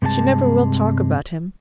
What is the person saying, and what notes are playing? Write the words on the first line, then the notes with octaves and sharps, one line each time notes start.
She never will talk about him.
G2 C3 G#3 F#4 A5